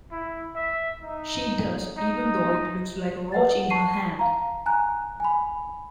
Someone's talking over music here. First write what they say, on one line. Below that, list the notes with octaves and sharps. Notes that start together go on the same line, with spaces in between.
She does, even though it looks like a roach in her hand.
E4
E5
D#4
D#4
B4 F#5 A6
A5 C#6 C7 D#7
F5 A#5
G#5 A#5 F#6
G#5 B5